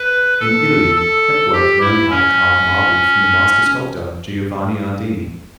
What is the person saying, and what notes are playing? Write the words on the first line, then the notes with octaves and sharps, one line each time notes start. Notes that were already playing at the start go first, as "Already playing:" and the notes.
In Italy, Hepworth learned how to carve marble from the master sculptor, Giovanni Ardini.
Already playing: B4
A4
A4
G4
E4
C#4